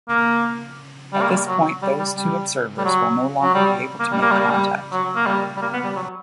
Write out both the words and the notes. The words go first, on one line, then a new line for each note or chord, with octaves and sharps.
At this point those two observers will no longer be able to make contact.
A#3
G3
A#3
G3
F#3
G3
G3
G3
G3
F#3
F#3
G3
A#3
G3
A#3
G3
A#3
G3
F#3
A#3
G3
G3
A#3
B3
G3
F#3